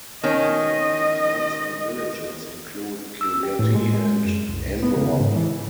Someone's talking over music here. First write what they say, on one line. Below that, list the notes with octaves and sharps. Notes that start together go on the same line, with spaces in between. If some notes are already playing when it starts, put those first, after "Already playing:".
Nearby towns and villages include Kilgetty and Amroth.
D#3 C#4 D#5
E6
G4
A2
G#3
G#3
F#2
C2
B3
C#3
G#2
E3